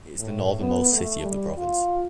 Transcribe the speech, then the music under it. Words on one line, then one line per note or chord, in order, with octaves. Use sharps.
It is the northernmost city of the province.
A2
B3
A3
G3
F4